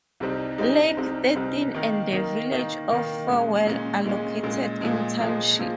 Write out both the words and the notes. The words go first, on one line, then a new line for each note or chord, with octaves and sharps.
Lake Thirteen and the village of Farwell are located in the township.
C2 C3 G3 C4 D#4
C2 C3 G3 C4 D#4
C2 C3 G3 C4 D#4
C2 C3 G3 C4 D#4
D#3 A#3 D#4 A#4
D#3 A#3 D#4 A#4
D#3 A#3 D#4 A#4
D#3 A#3 D#4 A#4
A#2 G#3 C#4
A#2 G#3 C#4
A#2 G#3 C#4
A#2 G#3 C#4
A#2 F3 G#3
A#2 F3 G#3
A#2 F3